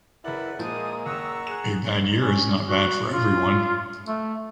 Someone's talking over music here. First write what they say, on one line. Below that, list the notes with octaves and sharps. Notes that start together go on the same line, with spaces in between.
A bad year is not bad for everyone.
F#1 E4 A#4 B4 D5 F#5 F#7
A#2 F3 G#3 A#3 C5 A5 D#6
F#1 D#2 F#5 A#5 C#6 E6
G#4 F#6 E7
C#4
F#4
F4
A3